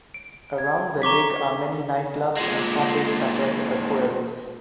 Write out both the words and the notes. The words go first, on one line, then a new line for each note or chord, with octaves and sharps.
Around the lake are many nightclubs and cafes such as Aquarius.
D7
G#6
A#5 C#6 D6 B6
A#2 G#3